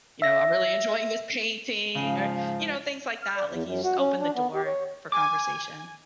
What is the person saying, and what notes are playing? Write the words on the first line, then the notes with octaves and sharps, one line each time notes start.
you know, "I'm really enjoying this painting" or, you know, things like that, like you just open the door for conversation.
E5 A#6
G#2 C#3 F3 F5
F6
D5
E2
F#2
F#4
C#4
D4
B3
G4
C#5
G#5 D6